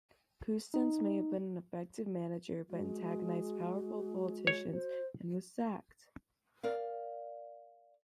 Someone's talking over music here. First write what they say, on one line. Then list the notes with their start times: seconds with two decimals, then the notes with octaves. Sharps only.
Custance may have been an effective manager but antagonized powerful politicians, and was sacked.
0.74 D#4
2.69 G#3 F#4
4.47 C#5
4.72 C5
6.63 A#4 D5 F5